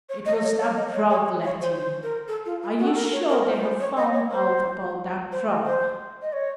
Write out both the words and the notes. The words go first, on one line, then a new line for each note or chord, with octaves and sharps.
"It was that drug--Letty, are you sure they have found out about that drug?"
C#5
D#5
C#5
C#5
D#5
C#5
C#5
C#5
C5
C5
A#4
A4
F4
F4
F#4
A4
A#4
C#5
A#4
C5
C5
C#5
D#5
C#5
C5
C5
D#5
C5
D#5
C#5